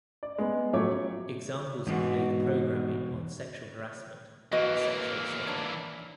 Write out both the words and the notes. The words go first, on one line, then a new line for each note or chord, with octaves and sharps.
Examples include programming on sexual harassment and sexual assault.
D5
G#3 B3
A1 F3 F#3 A3 C#5 D6
E2 G#2 B2 F#4
E3 A#3 F#4 B4 D#5
D4 C#5